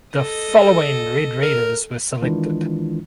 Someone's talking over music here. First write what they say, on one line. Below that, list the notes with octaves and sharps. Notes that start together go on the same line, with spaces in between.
The following Red Raiders were selected.
A4 D#5
A#4
D#3 E3 G#3 D4 E4 F4